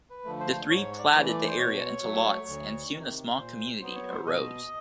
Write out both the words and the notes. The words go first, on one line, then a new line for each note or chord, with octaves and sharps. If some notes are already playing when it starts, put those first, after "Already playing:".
The three platted the area into lots, and soon a small community arose.
B4
D3 F3 A3
C5
G#2 C#5
D5
E3 A3
D5
C5
B2 C#5
F#3 A3
D2
C3 D#3
A#2 C5
F#3 B3 C5
C#5
C5
B2 D#5